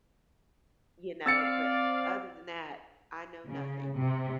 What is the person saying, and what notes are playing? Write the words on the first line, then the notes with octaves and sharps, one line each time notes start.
You know? But other than that, I know nothing.
C4 D5 F5 E6 A6 C#7
C#3
C3